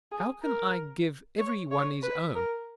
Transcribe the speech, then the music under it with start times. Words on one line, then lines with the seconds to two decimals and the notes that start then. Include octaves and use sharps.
How can I give every one his own!
0.11 G#4
0.43 A#4
1.39 C#5
1.71 C#5
2.03 B4
2.35 A#4